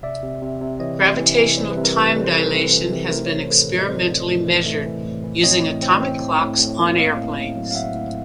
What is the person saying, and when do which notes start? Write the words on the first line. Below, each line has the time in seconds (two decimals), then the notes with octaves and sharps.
Gravitational time dilation has been experimentally measured using atomic clocks on airplanes.
0.03 C3 D5 E5
0.22 C3
0.42 C3
0.61 C3
0.80 E3 C#5 D#5
1.00 C3
1.19 E3
1.38 E3
1.57 G3 C5
1.71 B4
1.77 C3
1.84 A#4
1.97 E3 A4 B4
2.15 G3
2.24 C5
2.35 E3 A4 B4
2.54 C3
2.73 E3
2.93 C3
3.12 A3 A#4 C5
3.26 C#5
3.32 C4
3.38 C5
3.50 A2 A4 B4
3.70 A2
3.78 D#5
3.89 C4 C5 D5
4.08 A2
4.28 A2
4.47 E3
4.66 A3
4.86 E3
5.04 A2
5.24 E3
5.43 C4 C#5 D#5
5.63 A2
5.82 C4
6.01 C4
6.20 A2
6.40 A2
6.59 A2
6.79 A#3
6.98 A2 D#5 F5
7.17 A2
7.36 A2
7.56 F#3
7.71 F5
7.75 F#3 E5 F#5
7.94 A2